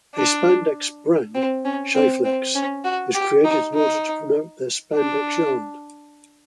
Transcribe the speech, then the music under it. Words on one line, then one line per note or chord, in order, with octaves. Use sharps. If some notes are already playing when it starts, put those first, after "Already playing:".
A spandex brand, Sheiflex, is created in order to promote their spandex yarn.
D4
C4
C#4
C4
C4
C#4
F#4
G4
D#4
D#4
D4